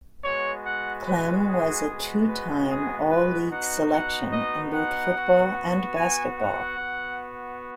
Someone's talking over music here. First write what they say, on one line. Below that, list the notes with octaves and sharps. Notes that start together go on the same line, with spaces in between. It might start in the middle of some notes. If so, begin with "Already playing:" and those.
Klemm was a two-time All-League selection in both football and basketball.
G#3 B3 F#4 C#5
F#5
B4
G#4
G#3 B3 F#4
B4
G#4
B4
B3 D#4 F#4 F#5
F#5
D#5
F#5
B3 F#4
G#5
F#5
B3 F#4